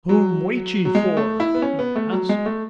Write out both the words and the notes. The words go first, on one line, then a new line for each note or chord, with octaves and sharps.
'Whom wait ye for?' he asked.
F#3
F#3
G#3
A3
E4
B3
C#4
B3
A3
F#3
G#3
A3